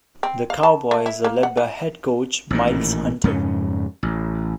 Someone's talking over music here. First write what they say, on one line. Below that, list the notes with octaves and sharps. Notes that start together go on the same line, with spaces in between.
The Cowboys are led by head coach Miles Hunter.
C4
F5
A5
A3
E4
A#3
F#5
E3
A1 A#2 D#3
F2 G#2 C#3 C#4
A1